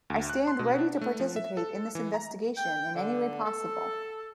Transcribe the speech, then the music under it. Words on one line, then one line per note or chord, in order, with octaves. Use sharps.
I stand ready to participate in this investigation in any way possible.
D2
F#6
C6
B2
D4
A3
F3
E5
A4
E3
A#5
G5
D3
A4